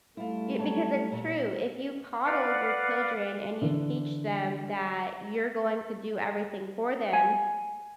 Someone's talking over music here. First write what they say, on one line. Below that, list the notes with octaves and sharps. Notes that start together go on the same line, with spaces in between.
yeah, because it's true. If you coddle your children and you teach them that you're going to do everything for them,
G3 A3 E4 F4
F#3 C#5 A5
A#2
B4 D5 F5 F#5
D3 E3
G#5